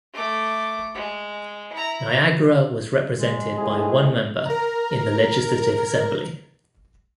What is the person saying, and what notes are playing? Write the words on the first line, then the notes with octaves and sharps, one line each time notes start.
Niagara was represented by one member in the Legislative Assembly.
A3 D6
G#3
E4 A#5
G#3
A2 C3 G#4
A#4 A#5